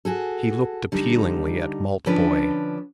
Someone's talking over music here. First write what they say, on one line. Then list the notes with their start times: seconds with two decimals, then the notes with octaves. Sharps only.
He looked appealingly at Maltboy.
0.05 F#4 G#4 A4
0.92 D3 G3 D#4
2.06 D3 F3 C#4 D4 B4